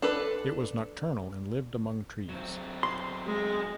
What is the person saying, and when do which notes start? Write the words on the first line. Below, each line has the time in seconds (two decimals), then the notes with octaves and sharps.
It was nocturnal and lived among trees.
0.02 D4 A4 B4
2.29 F#3 C4
2.83 C6
3.26 G#3